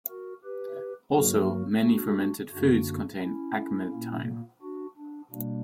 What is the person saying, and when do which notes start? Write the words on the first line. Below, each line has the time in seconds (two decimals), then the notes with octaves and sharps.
Also, many fermented foods contain agmatine.
0.09 F#4 A#4
0.44 G4 B4
1.14 G2 F#3 A#3 F#4 A#4
1.83 D4 F#4
2.53 F#2 D3 A#3 D4 F#4
3.23 C#4 E4
3.92 A#2 A#3
4.62 D4 F#4
4.97 D4
5.31 B2 G3 A#3 D4